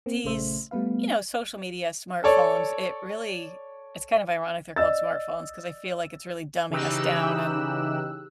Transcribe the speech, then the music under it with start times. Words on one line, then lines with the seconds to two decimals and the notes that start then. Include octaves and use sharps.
these, you know, social media, smartphones, it really it's, kind of, ironic they're called smartphones 'cause I feel like it's really dumbing us down, and
0.06 A#3 C4
0.24 A#1 C#3 A3 C5 E5
0.71 G3 A3 B3 B4 F5
2.24 A4 C#5 D5
4.76 D5 D#5 E6 A6
6.70 C#3 E3 D#4 G4 E6 F#6